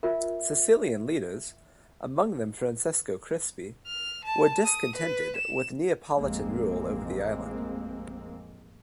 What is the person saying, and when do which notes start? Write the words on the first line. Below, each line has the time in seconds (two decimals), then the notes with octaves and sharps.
Sicilian leaders, among them Francesco Crispi, were discontented with Neapolitan rule over the island.
0.03 F4 A#4 E5
3.86 F6
4.25 A5
4.64 D#6
4.96 B4
5.36 E7
6.17 A1 F2 G#3 A#3 C4